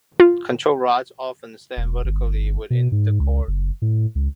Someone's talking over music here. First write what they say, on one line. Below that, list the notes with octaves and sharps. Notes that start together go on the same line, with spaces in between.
Control rods often stand vertically within the core.
F4
E1
G1
B2
G#2
C#2
F#1
A2
C#2